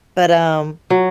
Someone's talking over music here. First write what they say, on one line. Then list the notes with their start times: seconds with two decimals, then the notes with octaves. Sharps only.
but, um
0.90 F#3